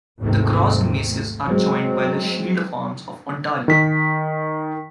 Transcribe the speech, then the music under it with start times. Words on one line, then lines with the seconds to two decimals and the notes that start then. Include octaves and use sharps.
The crossed Maces are joined by the shield of arms of Ontario.
0.19 G#1 D#2 C3 D#3 A3 C4
1.45 F#3 G#3 C4
3.68 D#3 B6